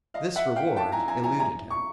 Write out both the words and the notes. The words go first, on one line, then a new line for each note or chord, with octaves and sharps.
This reward eluded him.
D#5 F5
E5 F#5
F5 G5
G5 A5
G#5 A#5
G#5 A#5
G#5 A#5
G#5 A#5
C#6